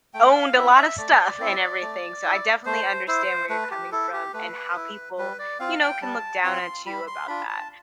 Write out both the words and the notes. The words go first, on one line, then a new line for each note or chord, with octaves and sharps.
owned a lotta stuff and everything, so, I definitely understand where you're coming from, and how people, you know, can look down at you about that,
A3 G5
F5
C4 E4 E5
E5
A3 D5
C4 E4
A3
E4
A3 C5
E4 C5
A3 B4
G4
E4 A4
G4
A3 B4
E4
G3 B4
D5
C4 F4 F5
G5
G3 A5
C4 F4 C6
G3 B5
C6
D4 F4 B5
A5